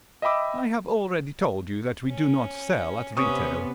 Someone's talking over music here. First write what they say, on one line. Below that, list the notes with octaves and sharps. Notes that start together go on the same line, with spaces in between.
"I have already told you that we do not sell at retail."
D#5 E5 G5 B5 D6 E6
C#4
C3 B3 C#4 C#6 D#6